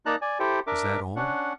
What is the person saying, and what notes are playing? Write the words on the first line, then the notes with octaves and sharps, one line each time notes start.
"Is that all?"
A#3 D#4 D5 A5 A#5 F#6
D5 G#5
E4 G4 A4 C5 G5
D4 A#4 E5 D6
C#4 D4 F#5